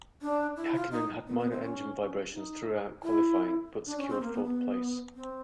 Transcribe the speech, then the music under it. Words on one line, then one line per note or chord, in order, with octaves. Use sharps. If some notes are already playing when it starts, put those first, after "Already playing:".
Hakkinen had minor engine vibrations throughout qualifying but secured fourth place.
D4
E4
F4
D#4
B3
B3
C4
C#4
D#4
E4
D4
C#4
C4
A#3
B3
B3
C4